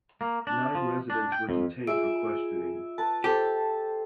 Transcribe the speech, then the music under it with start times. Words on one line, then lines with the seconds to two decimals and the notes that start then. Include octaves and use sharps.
Nine residents were detained for questioning.
0.21 A#3
0.47 D4
0.75 F3
1.10 D4
1.32 G5
1.49 F2
1.87 F4 G#4 E5 D7
2.98 B4 A5
3.24 G4 A4 C5